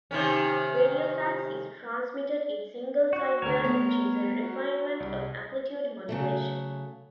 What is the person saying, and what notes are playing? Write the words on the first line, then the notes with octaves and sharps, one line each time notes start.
Radiofax is transmitted in single sideband which is a refinement of amplitude modulation.
C3 D#3 C#4
F#4
D2 D3 A#4 C#5
A3 B3 B6
F#4
C2
C#3 F#3 A3